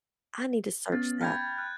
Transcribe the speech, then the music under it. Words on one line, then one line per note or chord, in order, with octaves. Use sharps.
I need to search that.
B3 C#4 A6
G5 B5 F6 G6 G#6
F6 F#6